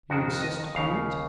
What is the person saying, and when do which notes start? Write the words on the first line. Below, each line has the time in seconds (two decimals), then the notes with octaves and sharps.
"You insist upon it?"
0.10 F2 D#3 F#4
0.42 D#5
0.75 D#2 C#3 F5